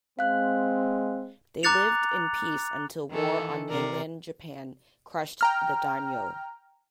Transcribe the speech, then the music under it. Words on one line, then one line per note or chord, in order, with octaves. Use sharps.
They lived in peace until war on mainland Japan crushed the Daimyo.
G#3 C4 F5 F#6
A#5 D6 F#6 A6 C#7 F7
D#3 E3 A4
C3 A#4 D5
G5 A#5 F6